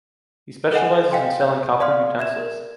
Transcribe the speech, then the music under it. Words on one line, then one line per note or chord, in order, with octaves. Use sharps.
He specializes in selling copper utensils.
A4 D#5 F#5 G#5
D#5 F5 G5 G#5 C6
G6
D5 F5 C6 F6
E5 G#6 E7
A#4